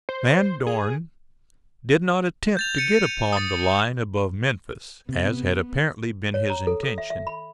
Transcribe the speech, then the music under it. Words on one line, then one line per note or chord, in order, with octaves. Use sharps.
Van Dorn did not attempt to get upon the line above Memphis, as had apparently been his intention.
C5
G#4
G6 A6 F7
A6 C#7 D#7
D#6 A6
C3 B3
C#5
A#5
A4
A4
E5
E5
B5